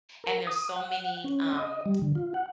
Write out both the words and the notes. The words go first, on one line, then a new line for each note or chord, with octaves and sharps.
And there's so many, um
A#4
D#6
F#5
C#4
D#5
G3
D3
F4
F#5